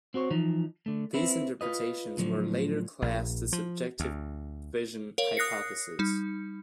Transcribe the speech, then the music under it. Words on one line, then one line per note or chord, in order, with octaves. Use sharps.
These interpretations were later classed the subjective vision hypothesis.
C4 F#4 C5 C#5
E3 F3 D#4
D3 A3
C4 E4 B4
F4 B4 D#5
A2 D3 F3 F#3
A#1
F3
D2
A#4 C#5 F5
D#6 F#6 A#6 C7 C#7
G3 D#4